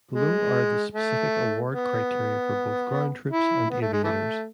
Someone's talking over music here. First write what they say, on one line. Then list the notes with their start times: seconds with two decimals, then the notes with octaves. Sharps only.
Below are the specific award criteria for both ground troops and aviators.
0.12 G#3
0.93 A3
1.72 B3
3.31 E4
3.71 B3
3.82 A3
3.93 G#3
4.04 E3 A3